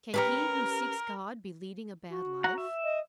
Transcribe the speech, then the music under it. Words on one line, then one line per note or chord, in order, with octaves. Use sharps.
"Can he who seeks God be leading a bad life?"
C#4 G4 A#4 B4
F#4
F#5 A#5
E5
D#5